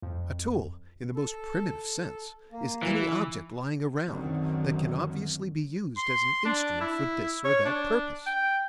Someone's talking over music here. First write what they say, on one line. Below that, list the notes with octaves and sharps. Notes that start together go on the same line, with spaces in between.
A tool, in the most primitive sense, is any object, lying around, that can obviously be used as an instrument for this or that purpose.
F2
A4
A#3
E3
F#2 D3 D#3 C4
C6
D4
E4
C#5
D4
G5